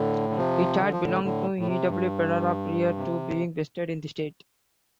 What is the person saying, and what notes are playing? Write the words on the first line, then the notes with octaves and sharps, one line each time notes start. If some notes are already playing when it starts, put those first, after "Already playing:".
It had belonged to E. W. Perera prior to being vested in the state.
Already playing: A2 D3
D3
C3 F3
D3
F3
A2 D3
A2 D3
A2
C3
G2
C3